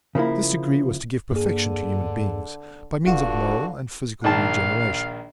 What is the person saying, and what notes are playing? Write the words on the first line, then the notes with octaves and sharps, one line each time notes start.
This degree was to give perfection to human beings, by means of moral and physical regeneration.
C#3 F3 A#3 E4
G2 D3 A#3 G#4
D1 G2 D3 F4 F#4 F5 F#5
A#1 D#3 F5 A5